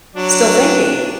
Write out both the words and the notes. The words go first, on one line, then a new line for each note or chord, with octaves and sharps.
still thinking.
F#3 D4